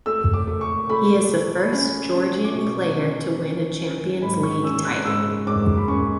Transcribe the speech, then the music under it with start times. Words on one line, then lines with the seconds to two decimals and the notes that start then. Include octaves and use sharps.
He is the first Georgian player to win a Champions League title.
0.06 A3 E6
0.34 D6
0.47 A3
0.61 C#6
0.90 A3 B5
1.32 A3
1.73 C#4
2.15 C#4
2.44 D6
2.55 B2 C#6
2.97 C#4
3.39 C#4
3.80 C#4
4.21 G#2 B5
4.43 C#6
4.63 C#4 E6
4.85 F#6
5.05 G#2 E6
5.47 G#2 D6
5.77 B5
5.88 C#4 C#6